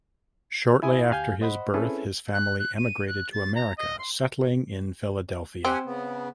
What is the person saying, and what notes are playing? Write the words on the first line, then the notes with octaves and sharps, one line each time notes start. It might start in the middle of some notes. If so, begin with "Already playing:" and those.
Shortly after his birth his family emigrated to America, settling in Philadelphia.
E4 G#5 D#6
D2 G4 F5 G#5 F6 G6
C5 D#5 F#5 B5
C4 C#4 E4 G#4 A4 B4
F#6
F#6
D#7
F#6
A6
A#5
D#5
C6
C4 G4 F#5 G#5
C#3 B3